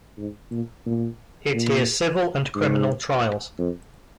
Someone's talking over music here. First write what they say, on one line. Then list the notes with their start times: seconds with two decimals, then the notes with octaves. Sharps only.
It hears civil and criminal trials.
0.18 G#2
0.51 A#2
0.86 A#2
1.54 A#2
2.56 G#2
3.58 F2